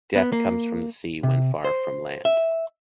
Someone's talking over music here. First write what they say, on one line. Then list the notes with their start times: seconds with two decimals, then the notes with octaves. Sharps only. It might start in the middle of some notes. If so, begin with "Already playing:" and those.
Death comes from the sea when far from land.
0.16 B3
0.33 A#3
1.23 C3
1.64 C5
2.25 E5